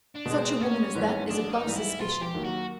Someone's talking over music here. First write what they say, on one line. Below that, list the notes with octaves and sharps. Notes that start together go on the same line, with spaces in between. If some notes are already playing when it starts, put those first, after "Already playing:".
Such a woman as that is above suspicion.
D4
B2 G#3
C4
A1 C#4
G#2 E3 G3
A1 D4
D#4
G#2 E3 G3
E4
E1 F4
G4
D#2 D#3 F#3 A#3
F#4